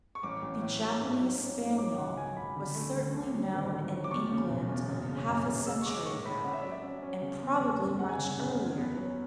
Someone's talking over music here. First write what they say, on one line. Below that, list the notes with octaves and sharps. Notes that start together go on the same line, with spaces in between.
The Japanese Spaniel was certainly known in England half a century ago, and probably much earlier.
C#6
A1 D6
A1
A2
F#3
G#2
F#3
C#4
G#2
F#3 D6
C#2 F#5
C#2 G#5
C#2 B5
D3
A3
D2
D3
F#3
G#1
G#1
F#3
D6
E2 C#6
C#3
E1
E2
F#1
C#3
F#2
F#1
G#3 E6
C#6
G#3 D6
A2 C#6
A2 B5
C#4 F#5
E5
F#3 D5
E5
C#4
C#4
C#3
E2
C#3
F#1
G#3 F#5
G#5
C#3 F#5
F#1
E2
B3
F#3